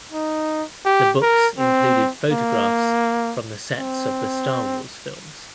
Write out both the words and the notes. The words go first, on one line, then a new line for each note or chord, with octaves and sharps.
The books included photographs from the sets of the Star Wars films.
D#4
G4
A#4
C4
A#3
C4